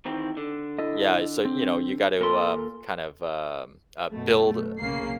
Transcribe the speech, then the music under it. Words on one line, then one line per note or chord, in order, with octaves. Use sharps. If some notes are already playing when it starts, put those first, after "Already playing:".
yeah, eh, so, you know, you got to kind of um, uh, build
D#3 E3 C4
D3
E4 A4 D#5
C4
A#2 A4 A#4 C6
F#2 B2 A3
B1 C#3 A#3 C7